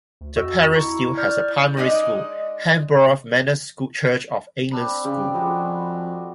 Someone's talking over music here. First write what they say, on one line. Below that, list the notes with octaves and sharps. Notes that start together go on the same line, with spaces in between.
The parish still has a primary school: Hanborough Manor Church of England School.
D2
F2 F#4 D#5 E6
E4 A#5 C#6
D5 F6 G6
G#3 D#4 D5 D#5
C4 D4 B5
C#3 G4
F2 G3 G#3 F#4